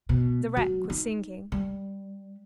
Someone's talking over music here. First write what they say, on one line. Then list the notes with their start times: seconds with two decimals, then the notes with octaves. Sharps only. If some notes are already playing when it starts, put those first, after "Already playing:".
The wreck was sinking.
0.09 B2
0.57 F#3
0.90 D#4
1.52 G3